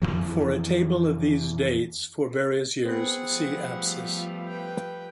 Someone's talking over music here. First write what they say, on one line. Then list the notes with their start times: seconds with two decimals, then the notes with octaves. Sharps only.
For a table of these dates for various years, see Apsis.
0.02 F2 C#3 E3 F3
2.85 B3 C4 G#4 F#5
3.26 F3 G3 A3
4.48 B4 G5